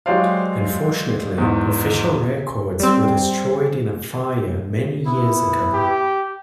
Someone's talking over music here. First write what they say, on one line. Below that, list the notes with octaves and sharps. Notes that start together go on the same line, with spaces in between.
Unfortunately, official records were destroyed in a fire many years ago.
F#3 G#3 G4 C5 D5 F5
E2 G#2
G3 C4
B3 E4
G4